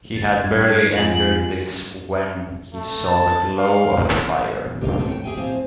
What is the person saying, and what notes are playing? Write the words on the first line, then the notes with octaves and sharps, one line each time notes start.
He had barely entered this when he saw the glow of a fire.
G1 A6
G2 G#6
F2 F4 G#4 G#5 F#7
A3
A5
F5
G4 C#5 D#5 F5
F#2 A3 C4 C#4 G5
G5
G4 G#4 A#4 E5 G5 G#5
D#2 A2 C4 C5 F5 G#5